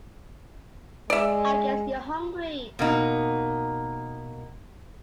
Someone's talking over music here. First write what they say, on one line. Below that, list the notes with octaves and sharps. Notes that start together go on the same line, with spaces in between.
I guess you’re hungry.
G#3 D5 E5
B2 A#3 D#4